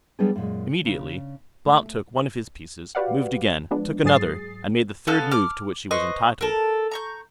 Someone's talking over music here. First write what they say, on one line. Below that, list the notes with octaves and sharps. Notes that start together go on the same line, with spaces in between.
Immediately, Blount took one of his pieces, moved again, took another, and made the third move to which he was entitled.
F#3 G3 B3 D4 G4 G#4
F#2 A#2 G#3
C#3 D4
A3
F#4 G4 B4 D5 F5 F#5
F3 G#3 B3 D4
G#2 F#3 G#4 D#6 A6 C7
B3 C#4 A4 F5
D6 F6
B4 C5 D#5 C#6
A4 A#4
A#5 C#6 G6